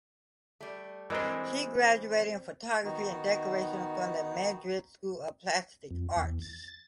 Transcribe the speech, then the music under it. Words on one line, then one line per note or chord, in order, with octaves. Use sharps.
She graduated in Photography and Decoration from the Madrid School of Plastic Arts.
G3 A3
E3 G#3 C4 D4 A#4 C5 D#5 A#5
D#3 B3 D#4 F#4
F2
E2
A6